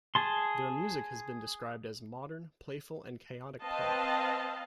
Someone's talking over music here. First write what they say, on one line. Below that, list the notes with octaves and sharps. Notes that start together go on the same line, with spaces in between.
Their music has been described as modern, playful and chaotic pop.
G#4 A5 C6
C4 B4 D#5 F5 A5